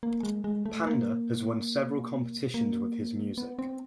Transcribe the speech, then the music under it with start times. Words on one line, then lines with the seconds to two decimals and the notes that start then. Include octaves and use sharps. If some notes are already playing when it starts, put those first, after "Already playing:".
Panda has won several competitions with his music.
0.03 A#3
0.23 G#3
0.44 G#3
0.66 A3
0.87 A#3
2.54 A#3
3.38 B3
3.59 C4